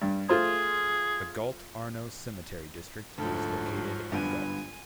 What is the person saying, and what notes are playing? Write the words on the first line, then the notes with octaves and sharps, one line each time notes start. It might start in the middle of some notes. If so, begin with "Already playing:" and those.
The Galt Arno Cemetery District is located in Galt.
G2
A3 F4 G#4 C5
D2 G#2 F3 F#3 A4
G2 D3 B3 G#5